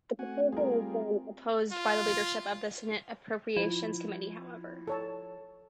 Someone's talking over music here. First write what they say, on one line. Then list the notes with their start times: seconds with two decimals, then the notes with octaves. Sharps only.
The proposal has been opposed by the leadership of the Senate Appropriations Committee, however.
0.19 A3 C4 F#4 F#5 G#5
0.53 G3 F4 G#4 A#4
1.73 F4
3.57 F3 E4
4.87 A4 C#5 A5